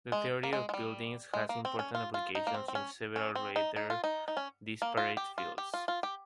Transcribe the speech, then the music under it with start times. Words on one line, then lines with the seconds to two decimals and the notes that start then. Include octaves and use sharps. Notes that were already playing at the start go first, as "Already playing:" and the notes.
The theory of buildings has important applications in several rather disparate fields.
0.12 G#3
0.43 A#3
0.53 G#3
0.69 G#3
0.74 G3
1.33 G#3
1.49 A#3
1.65 C4
1.79 C#4
1.95 F4
2.14 F4
2.35 D#4
2.47 A#3
2.54 C4
2.68 C4
2.75 C#4
3.16 C#4
3.35 C4
3.56 D#4
3.76 D#4
3.90 F4
4.04 D#4
4.28 D#4
4.37 C#4
4.82 A#3
4.97 F4
5.17 G4
5.38 F4
5.58 G4
5.74 F4
5.88 F4
6.03 G4